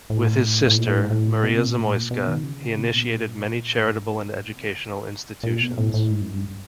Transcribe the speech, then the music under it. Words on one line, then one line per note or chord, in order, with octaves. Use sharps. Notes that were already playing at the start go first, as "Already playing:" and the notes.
With his sister, Maria Zamoyska, he initiated many charitable and educational institutions.
A2
A2
A#2
A2
G#2
A2
B2
C3
A#2
A2
A#2
B2
D#3
C#3
B2
A#2
G#2
A#2
C3
D3
C#3
A#2
B2
A2
A2
G#2
F#2
G2